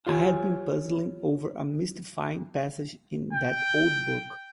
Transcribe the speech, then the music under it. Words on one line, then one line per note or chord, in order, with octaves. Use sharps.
I had been puzzling over a mystifying passage in that old book.
F4 G4 C#5 G#5
G5